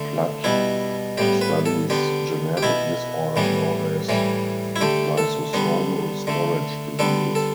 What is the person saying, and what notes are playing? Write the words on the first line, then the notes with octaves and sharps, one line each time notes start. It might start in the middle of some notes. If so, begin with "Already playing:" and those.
Platt studies genetic disorders known as lysosomal storage diseases.
Already playing: D3 A3
B2 G3 B3 E4
A2 G3 B3 G4
B4
A4
D3 B3 G4
G4
B2 B3 E4
A2 E3 G3 B3
A2 E3 G3
E4
D3 A3 G4
A4
D3 G3 B3
D3 A3
D3 G3 B3 A4
A4